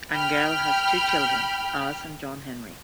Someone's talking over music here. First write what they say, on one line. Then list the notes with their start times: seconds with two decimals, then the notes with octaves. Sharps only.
Angell has two children, Alice and John Henry.
0.12 G5 B5 F6